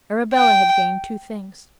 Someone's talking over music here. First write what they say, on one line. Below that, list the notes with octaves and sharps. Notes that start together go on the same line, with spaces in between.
Arabella had gained two things.
G5